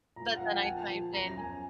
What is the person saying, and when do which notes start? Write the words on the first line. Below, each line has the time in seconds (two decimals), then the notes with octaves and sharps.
But then I typed in
0.16 A#2 A#5
0.28 F5
0.36 F#5
0.41 F3
0.46 G5
0.56 G#5
0.65 A#2 A5
0.90 F3
1.13 F#2 A#5
1.37 F#2 G#5